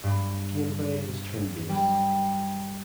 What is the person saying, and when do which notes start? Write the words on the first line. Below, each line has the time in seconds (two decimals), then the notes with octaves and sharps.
Gameplay is turn-based.
0.03 G2
1.69 G3